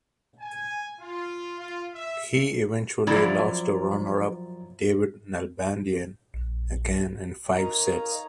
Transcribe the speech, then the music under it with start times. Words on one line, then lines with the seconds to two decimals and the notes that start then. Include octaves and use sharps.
He eventually lost to runner-up David Nalbandian, again in five sets.
0.40 G#5
1.00 F4
1.59 F4
1.94 E5
3.07 F#2 F3 E4 C#5 D5 A#5
6.34 A#1
7.54 D#4 A#4 C#5 D#5 F5 A#5